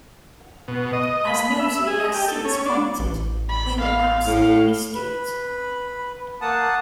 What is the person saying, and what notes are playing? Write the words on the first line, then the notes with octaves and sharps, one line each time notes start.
As Mosley has since commented: We were absolutely skint.
B2
D#5
B5
E5
G#4
D#5
G4
A4
C#4
D4
A1
B5
F5
A2
B4
A#3 F#5 A5 D#6